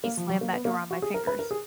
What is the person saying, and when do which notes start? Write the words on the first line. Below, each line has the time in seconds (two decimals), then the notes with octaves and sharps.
he slammed that door on my fingers,
0.04 A#3
0.17 F3
0.29 F#3
0.41 A#3
0.53 B3
0.65 A#3
0.91 F#4
1.02 G#4
1.14 A#4
1.27 B4
1.39 A#4
1.51 G#4